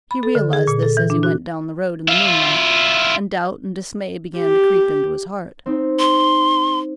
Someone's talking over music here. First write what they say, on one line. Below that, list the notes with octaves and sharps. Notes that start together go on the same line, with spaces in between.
He realized this as he went down the road in the moonlight, and doubt and dismay began to creep into his heart.
B5
A4
D3
G#4
A#2
A4
E3
D4
F#4
E4 F4
G4
C4 D#4
C6